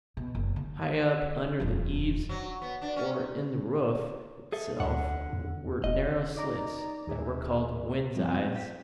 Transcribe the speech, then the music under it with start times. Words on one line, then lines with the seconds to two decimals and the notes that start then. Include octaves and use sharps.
High up under the eaves or in the roof itself were narrow slits that were called wind's-eyes.
0.17 B2
0.35 F#1
0.56 D3
1.60 D#1 F2
2.29 F#3
2.62 B3
2.82 D4
2.96 C#4
4.52 G#4 A4 E5
4.80 D2 D3 F#5
5.33 E2
5.84 E1 D#5
6.35 D#4 D5 D#5 A#5 D6
7.07 D#2 G#4 E5
8.16 F3 G3 A3 C4 C#4
8.52 G5 B6